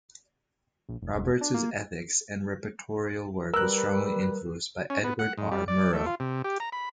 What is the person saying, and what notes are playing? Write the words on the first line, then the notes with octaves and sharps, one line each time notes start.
Roberts' ethics and reportorial work was strongly influenced by Edward R. Murrow.
A#1
F1
E1
D4
A#3
G3 A#4 B4 E6 F#6
C#4
B3
F#5
G#2
G3
D5
A3
F4
C3
G4
A#5
B5